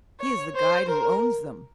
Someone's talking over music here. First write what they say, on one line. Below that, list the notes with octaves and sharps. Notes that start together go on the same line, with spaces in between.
'He is the guide who owns them.'
C#5
C5
A#4